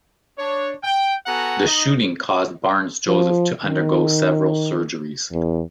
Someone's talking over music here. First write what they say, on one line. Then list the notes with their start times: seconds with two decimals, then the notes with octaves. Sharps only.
The shooting caused Barnes-Joseph to undergo several surgeries.
0.38 D4 C#5
0.84 G5
1.26 B3 F#4 A4 F#5 G#5 A#5
1.67 D#4
3.07 F3
3.63 D#3
5.32 E2